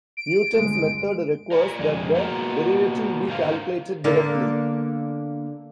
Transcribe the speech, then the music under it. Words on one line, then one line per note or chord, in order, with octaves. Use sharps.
Newton's method requires that the derivative be calculated directly.
D7
G1 G#3
A#4 D5 G#5
F2 G#3
A#3 B3 F#4 A#4
G#2 D3 A#4 C5 F5
D3 A#3 B3